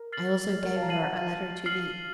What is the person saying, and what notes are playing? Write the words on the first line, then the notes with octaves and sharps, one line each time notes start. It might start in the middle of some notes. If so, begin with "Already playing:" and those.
I also gave her a letter to thee.
Already playing: A#4
F6 A6 C7 F#7
A#4 C#5
F5 A5
A#5
F5 A5 F6 A6 C7 D#7 F#7
F#5 A#5
F5 A5
F6 C7 F#7